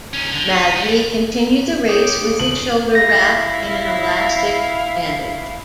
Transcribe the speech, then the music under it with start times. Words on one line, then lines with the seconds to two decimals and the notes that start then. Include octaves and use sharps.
Magni continued the race with his shoulder wrapped in an elastic bandage.
0.14 C#4 D#4
0.32 D3
0.51 D#4
0.76 G3 B3
1.88 C#5 G5 D6 D#6 C#7 D7
2.21 D2 A#3
2.39 C#3 D#7 F#7
2.95 E4 F5 A#6